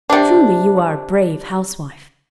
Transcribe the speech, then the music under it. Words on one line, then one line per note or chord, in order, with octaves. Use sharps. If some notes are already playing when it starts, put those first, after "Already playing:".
Truly, you are a brave housewife!
C3 D4